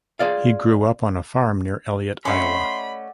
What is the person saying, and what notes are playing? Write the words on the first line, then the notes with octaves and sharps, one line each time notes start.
He grew up on a farm near Elliott, Iowa.
F4 G#4 D5 F5
A3 C#4 D5 D#5 F#5 B5 C6